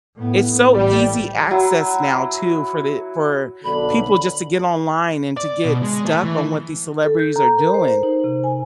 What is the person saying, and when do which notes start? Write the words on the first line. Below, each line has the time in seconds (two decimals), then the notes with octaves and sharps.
It's so easy access now too, for the for people just to get online and to get stuck on what these celebrities are doing.
0.18 A2 B3
0.74 A1 G3
1.51 F#3 E4
3.64 B1 D3 B5
5.37 D5
5.64 B2
5.83 G#3
6.05 A3
6.23 E3
7.04 A4
7.19 G6
7.36 A#5
7.58 A#4
7.74 C5
8.03 D#4
8.24 C3
8.44 G#5